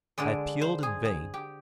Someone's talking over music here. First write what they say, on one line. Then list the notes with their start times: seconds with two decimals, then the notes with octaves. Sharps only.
I appealed in vain.
0.18 D3 G#3 D5
0.61 C5
0.83 G#4
1.05 G#4
1.34 G4